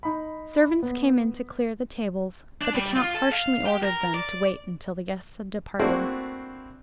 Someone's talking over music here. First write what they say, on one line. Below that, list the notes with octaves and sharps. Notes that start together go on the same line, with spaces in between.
Servants came in to clear the tables, but the count harshly ordered them to wait until the guests had departed.
D#4 B5
B3
D4
G3
F4
A4
F5
G4
A#4
D5
A3 A#3 C4 D4 E4 F#4